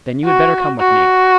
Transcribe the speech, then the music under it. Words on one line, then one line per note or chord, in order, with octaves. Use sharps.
"Then you had better come with me."
F#4
F#4